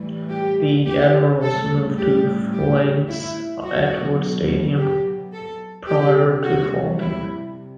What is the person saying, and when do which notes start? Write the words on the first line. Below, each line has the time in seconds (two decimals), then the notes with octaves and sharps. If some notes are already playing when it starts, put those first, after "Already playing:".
The Admirals moved to Flint's Atwood Stadium prior to folding.
Already playing: A2 E3 G3
0.31 G4
0.86 G4
1.42 A2 G3 A4
1.98 G4
2.54 G4
3.10 E4
3.66 B2 F#3 F#4
4.77 G4
5.32 A4
5.88 C3 G3 G4
6.44 F#4
6.99 E4